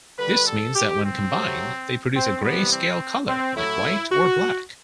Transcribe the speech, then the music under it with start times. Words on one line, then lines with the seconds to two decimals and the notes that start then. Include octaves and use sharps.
This means that when combined, they produce a gray-scale color like white or black.
0.19 D3 G3 B4
0.47 A4
0.75 G4
1.03 C4
1.31 C3 F#3 A3
2.16 C4
2.43 C3 E3 G3 B3
2.72 C4
3.28 C4
3.56 A2 F#3 A3 E4
4.12 F#4